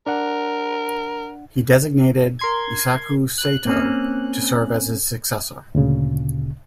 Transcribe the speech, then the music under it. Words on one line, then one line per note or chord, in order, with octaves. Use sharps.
He designated Eisaku Sato to serve as his successor.
D4 A#4 F#5
A#4 C6 G#6
F#6
A#3 C4 C#4
D2 A#2 C#3